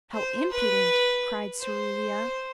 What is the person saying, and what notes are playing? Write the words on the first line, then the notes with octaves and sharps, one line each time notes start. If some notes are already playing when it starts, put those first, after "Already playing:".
"How impudent!" cried Cerulia.
C5
B4
C5